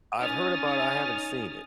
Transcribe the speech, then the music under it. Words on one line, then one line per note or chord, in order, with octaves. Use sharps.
I've heard about I haven't seen it.
C#4 D#4 G#5 D#6 F6 A6